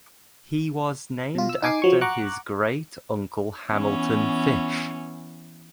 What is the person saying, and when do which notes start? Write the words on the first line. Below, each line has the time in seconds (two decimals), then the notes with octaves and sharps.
He was named after his great uncle Hamilton Fish.
1.35 B2 F4
1.49 E6
1.62 D#4 G#5 D6 C7
1.82 F3 F#3 C#6
2.01 F#5 A#5 C#6 D6 F#6
3.70 E3 B3 C#4